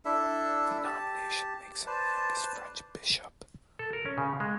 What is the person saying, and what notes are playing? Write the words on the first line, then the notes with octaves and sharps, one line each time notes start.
The nomination makes him the youngest French bishop.
D4 E4 A4 E5
G4 A5
B4 C5 D5 A5
A4
A#4
C#4
C#3
G#3